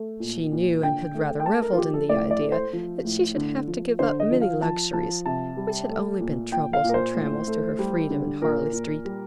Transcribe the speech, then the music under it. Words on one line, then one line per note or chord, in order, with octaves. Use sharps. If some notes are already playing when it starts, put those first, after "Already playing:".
She knew, and had rather revelled in the idea, that she should have to give up many luxuries, which had only been troubles and trammels to her freedom in Harley Street.
Already playing: A3
A#2
A#2
D3 G5
A3
G5
A3 A5
A#4
F4
F3 G4
A4
A2 D5
D5
A3
C5
F3
A2
D3
F3
D3 C5
D#5
F3
F5
F3 A5
F3 A5
C3 A5
G3
A3
A#2
A#2 G5
F5
A#2
A#4
C5
A2
A3
G3
D3
A#2 A#4
A#2
G3